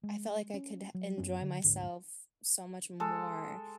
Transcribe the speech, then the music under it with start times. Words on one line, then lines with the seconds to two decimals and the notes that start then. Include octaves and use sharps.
I felt like I could ha enjoy myself so much more
0.03 G#3
0.54 C#4
0.94 F#3
1.18 F#2 B3 C#4
1.42 D3
1.64 G#1 D2 G#2 D3
3.00 G#3 A4